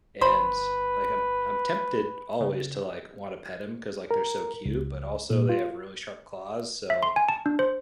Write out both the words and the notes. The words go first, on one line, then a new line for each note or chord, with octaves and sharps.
and, like, I'm I'm tempted always to, like, wanna pet 'em 'cause, like, they're so cute, but also they have really sharp claws, so
G1 B4 C5 B5
C#3
A#4
C#2
A#2
F4
E5
C6
G#5
A5
D4
C5